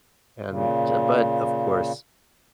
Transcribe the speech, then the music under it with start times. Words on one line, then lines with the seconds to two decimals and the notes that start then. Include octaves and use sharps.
and j but, of course,
0.47 A#2 C#3